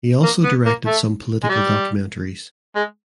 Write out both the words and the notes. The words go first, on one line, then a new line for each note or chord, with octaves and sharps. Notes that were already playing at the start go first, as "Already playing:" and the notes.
He also directed some political documentaries.
A#3
B3
A#3
A3
G#3
G3
G#3